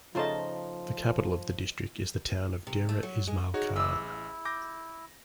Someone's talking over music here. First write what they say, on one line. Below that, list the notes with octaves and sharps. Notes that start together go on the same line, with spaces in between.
The capital of the district is the town of Dera Ismail Khan.
C#3 F3 A3 D#4 F4 C5 D#5 A5
C3
A3
F#3
G#3
D#4 F#4 G#4 C#5
A1 E4 D6 E6
D6 G6 A#6